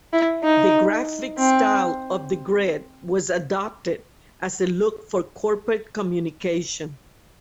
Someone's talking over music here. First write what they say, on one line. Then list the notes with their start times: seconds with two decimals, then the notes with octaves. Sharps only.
The graphic style of the grid was adopted as a look for corporate communication.
0.13 E4
0.44 D#4
1.39 C4